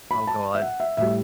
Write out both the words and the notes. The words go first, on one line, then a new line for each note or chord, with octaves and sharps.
Oh god.
B5
A5
E5
F#5
E5
A2 G3 E5